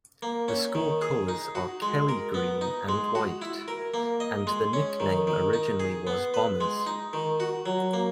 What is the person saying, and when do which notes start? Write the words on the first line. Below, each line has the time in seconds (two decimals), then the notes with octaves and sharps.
The school colors are kelly green and white, and the nickname originally was Bombers.
0.22 A#3
0.48 C#4
0.75 D#3
1.02 G#4
1.28 D#4
1.55 F#4
1.82 G#3
2.09 A#4
2.34 B3
2.61 D#4
2.89 G#3
3.15 F#4
3.42 E4
3.68 A#4
3.94 A#3
4.20 D#5
4.47 G#3
4.73 C#4
5.00 D#3
5.27 D#3
5.53 D#4
5.80 G#4
6.07 B3
6.34 B4
6.61 G#3
6.86 D#4
7.13 D#3
7.40 F#4
7.66 F#3
7.93 A#3